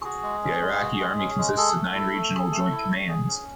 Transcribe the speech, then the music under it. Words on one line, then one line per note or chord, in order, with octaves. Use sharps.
The Iraqi Army consists of nine regional joint commands.
F#4 G#4
G#3
C#4
G#3
F#4
G#3
C#4
G#3
G#4 A4
A3
E4
A3
G#4
A3
E4
A3
G#4
C#4